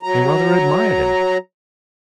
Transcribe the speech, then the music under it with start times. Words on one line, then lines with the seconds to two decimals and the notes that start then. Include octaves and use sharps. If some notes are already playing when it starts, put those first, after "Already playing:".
They rather admired him.
0.03 F#3 A#5